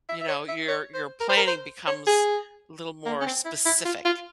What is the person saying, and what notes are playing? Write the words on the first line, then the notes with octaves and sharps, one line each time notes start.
you know, your your planning becomes a little more specific.
E5
E5
C#5
E5
C#5
C5
A#4
C5
A#4
C5
C#5
G#4
A#3
C#4
C4
E4
E4
F4
F4